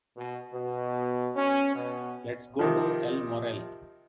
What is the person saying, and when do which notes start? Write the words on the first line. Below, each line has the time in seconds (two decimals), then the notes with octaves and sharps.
Let's go to El Morell.
0.17 B2
0.53 B2
1.36 C#4
1.74 B2
2.59 C3 D#3 F3